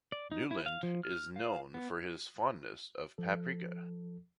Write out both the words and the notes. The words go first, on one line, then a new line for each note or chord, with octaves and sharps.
Newland is known for his fondness of Paprika.
D5
D#4
E4
F5
F3
F6
F5
B3
F3 A4